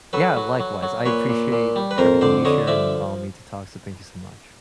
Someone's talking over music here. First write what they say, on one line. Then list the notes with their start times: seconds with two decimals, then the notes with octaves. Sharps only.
Yeah, likewise, I appreciate everything you shared, and allowing me to talk, so thank you so much.
0.13 F#3 A4 B4
0.37 F#3
0.60 F#3
0.83 F#3
1.05 A#2 B4 C#5
1.29 A#2
1.52 A#2
1.76 G3
1.91 B4
1.98 F2 A#4 C5
2.21 D3 C5 D5
2.45 D3 C#5 D#5
2.67 F3 D5 E5